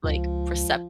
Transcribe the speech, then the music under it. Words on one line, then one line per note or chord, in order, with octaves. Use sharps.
r like, percept
C#2 F3